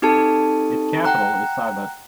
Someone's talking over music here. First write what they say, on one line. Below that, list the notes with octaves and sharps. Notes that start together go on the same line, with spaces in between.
Its capital is Sibut.
C4 D#4 G4 A4 A5
F#5 G5 A#5 F#6